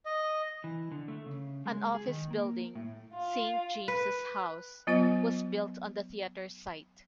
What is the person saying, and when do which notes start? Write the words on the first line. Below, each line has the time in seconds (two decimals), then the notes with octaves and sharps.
An office building, Saint James's House, was built on the theatre's site.
0.06 D#5
0.64 E3
0.92 D3
1.08 A3
1.26 C#3
1.66 G#3
1.94 G#4
2.07 D#3
2.31 A#3
2.75 A2
3.15 F4
3.88 B4
4.87 F#3 B3 F4 C5 D#5